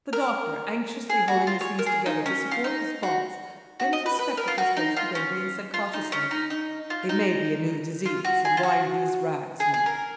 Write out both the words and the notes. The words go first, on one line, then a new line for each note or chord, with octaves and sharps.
The doctor, anxiously holding his knees together to support his box, bent his spectacles towards the baby, and said cautiously, "It may be a new disease; unwind these rags, Monna!"
A#4
G#4
F#4
F4
C#5
A#4
G#4
D#4
C#4
F4
D#4
F#4
F#4
D#5
B4
B4
A#4
F4
F#4
D#4
F4
C#4
F4
D#4
C#4
D#4
D#4
F4
D#4
F4
F#4
G#4
F4
F#4
G#4
G#4
A#4